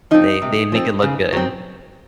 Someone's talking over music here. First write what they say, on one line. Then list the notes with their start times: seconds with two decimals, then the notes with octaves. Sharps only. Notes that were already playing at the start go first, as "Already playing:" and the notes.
They they make it look good.
0.11 F3 C4 D#4
0.42 C3
0.72 F3 C4
1.02 C#3
1.33 F#3 C4